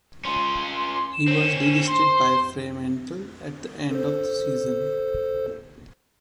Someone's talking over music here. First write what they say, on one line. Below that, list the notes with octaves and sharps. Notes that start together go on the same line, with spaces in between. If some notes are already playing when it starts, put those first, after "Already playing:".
He was delisted by Fremantle at the end of the season.
C#4 F4 C6
E7
C4 C#4
C5 C6
A4 C5